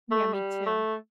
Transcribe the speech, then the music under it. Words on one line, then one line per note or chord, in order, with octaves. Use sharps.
Yeah, me too.
A3
G3
A3